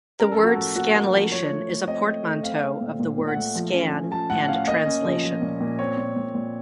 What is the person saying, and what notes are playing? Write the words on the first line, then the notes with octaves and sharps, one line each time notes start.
The word "scanlation" is a portmanteau of the words scan and translation.
C#4 A#4
A4
F3
F#4
A2 A4
A#3 F#4
C#4 A#4
F3
F3 C#5
A3
A3
C4 D#5
A3
A3
C4 F5
C4
A#2
A#2
A#2
F#5
A3
F3
C#4
C#4
F3 A5
A2 F#5
C#4 F5
A#3 D#5
C#4
F3
F3
A#2
A#2
C4 C#5
A#2
A#2
A#2